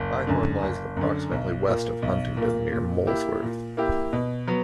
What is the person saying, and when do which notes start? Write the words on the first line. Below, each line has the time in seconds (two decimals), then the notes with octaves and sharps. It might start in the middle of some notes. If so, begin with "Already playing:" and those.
Bythorn lies approximately west of Huntingdon near Molesworth.
Already playing: F#1
0.27 F#2 D3
0.62 F#1
0.97 F#2 D3
1.32 B1
1.67 A#2 A#3
2.02 B1
2.37 A#2 A#3
2.72 A#2
3.07 A#3 E4 G4
3.42 A#2
3.77 A#3 E4 G4
4.13 B2
4.47 F#3 B3